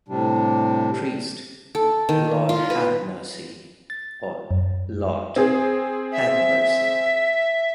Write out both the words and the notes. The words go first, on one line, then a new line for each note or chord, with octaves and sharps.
Priest: Lord, have mercy. All: Lord, have mercy.
A2 C3 G3 D4
A4
D#3
F4
B4
A6
F#2
C4 G#4
E5